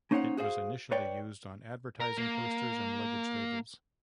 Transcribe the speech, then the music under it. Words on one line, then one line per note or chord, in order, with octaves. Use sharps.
It was initially used on advertising posters and luggage labels.
A#3 C#4 D#4 C5 C#5 F#5
F#4 G#4 C5 D#5 F5
B4 C#5 D5 G5
A#4
A#3